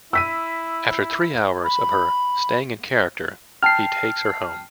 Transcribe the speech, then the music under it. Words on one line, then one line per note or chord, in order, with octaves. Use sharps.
After three hours of her "staying in character", he takes her home.
E4 E6 B6 D#7
B5
G5 A5 F6 C7